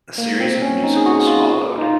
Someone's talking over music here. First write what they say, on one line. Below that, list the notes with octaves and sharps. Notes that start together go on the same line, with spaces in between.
A series of musicals followed.
A#3
C4
C#4
D#4
G#4
F#4
F4
D#4
F4